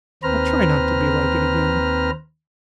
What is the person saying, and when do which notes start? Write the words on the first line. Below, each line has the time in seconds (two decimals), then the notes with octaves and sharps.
I'll try not to be like it again.
0.23 D#2 C4 B4 C5 A#5 F6